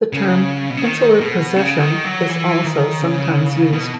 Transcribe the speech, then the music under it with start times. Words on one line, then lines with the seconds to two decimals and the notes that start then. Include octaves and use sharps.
The term insular possession is also sometimes used.
0.13 C#3
0.70 B2
0.77 C#3
0.84 D#3
1.20 B2
1.56 C#3
1.80 D#3
2.05 F#3
2.29 E3
2.65 D#3
3.01 C#3
3.72 B2